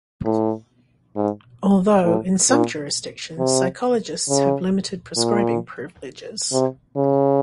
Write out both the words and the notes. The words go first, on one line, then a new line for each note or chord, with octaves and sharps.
Although, in some jurisdictions, psychologists have limited prescribing privileges.
A2
G#2
A2
A#2
C3
C#3
A#2
C3
C#3